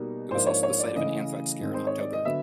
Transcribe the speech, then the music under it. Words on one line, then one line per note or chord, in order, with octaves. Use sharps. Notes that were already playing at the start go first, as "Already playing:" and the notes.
It was also the site of an anthrax scare in October.
Already playing: B2 G3 A#3 D#4
G#2 F3 A#3 D4 C5
C#5
C#5
D5
C#3 E3 A3 C#4 D#5
G#2 D#3 G#3 C4
C5
C#5
D5
D#5
D3 F#3 B3 E5